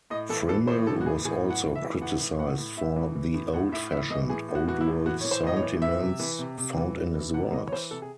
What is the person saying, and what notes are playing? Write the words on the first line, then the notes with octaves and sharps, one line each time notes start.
Friml was also criticized for the old-fashioned, Old World sentiments found in his works.
A2 D#5
E3 A4
E3 A4
A2 C5
E3 A4
F#4
A2 G#4
A2 G#4
E3
F#5
E3
E5
E3
A2 F#5
E3
A2 F#5
A2
A2 E5
E3
E3
A2
A2 F#5
A2 E5
A2 E5
E3 D#5
A2 G#4
A2
F#4
E3 F#4
E4
A2
A2 F#4
E3 C#5
C5
A2 D#5
C#5
E3
E3 E5
C3
E3
C3
C3
E3
E3
E3
C3 F#5
E3 D#5
C#5
E3 C5
C3 A4
G#4